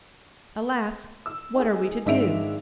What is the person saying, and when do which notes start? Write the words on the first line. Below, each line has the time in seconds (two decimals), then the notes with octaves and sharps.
Alas, what are we to do?
1.26 E6
1.55 D#4 G#4
2.05 G#1 G#3 D4 E5 D7 F7